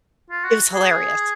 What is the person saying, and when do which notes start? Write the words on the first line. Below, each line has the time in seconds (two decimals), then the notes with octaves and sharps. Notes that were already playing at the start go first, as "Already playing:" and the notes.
It was hilarious.
0.30 F4
0.45 F#4
0.74 G#4